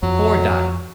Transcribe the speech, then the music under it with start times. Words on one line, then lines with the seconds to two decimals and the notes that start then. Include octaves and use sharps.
Poor Dot!
0.03 F2 F#3